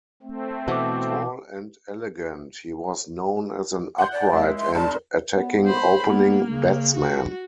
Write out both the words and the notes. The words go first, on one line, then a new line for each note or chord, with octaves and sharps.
Tall and elegant, he was known as an upright and attacking opening batsman.
A3 C4
B2 E3 F#4 C5 E5 A5 D6
F#5 C6 G6
D5
G#3 E4
C6
F1 A5
B3
C5 B5
A#3 B3
C#3
F#4